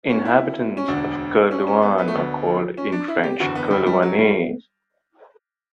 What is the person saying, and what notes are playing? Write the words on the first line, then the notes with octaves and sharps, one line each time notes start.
Inhabitants of Kerlouan are called in French "Kerlouanais".
C#4
E4
C#4
E1 D2 D3 D4
C#4
C#4
B3
B3
A3
D2 D3 B3
C#4
D4
E4
G4
F#1 E2 D3 F#4
B3
G3
G3
F#3
G3